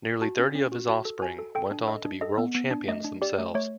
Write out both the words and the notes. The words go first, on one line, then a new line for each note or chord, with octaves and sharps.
Nearly thirty of his offspring went on to be World Champions themselves.
F#4 A5
C#4
C#4
F#4
F#4 A5
A4
F#4 G#5
A4
A4 G5
D4
A4 D#5
D4
A4 D#5
B3
B3
D4
A3 D#5
D4
G4 D5
A3
A3 C#5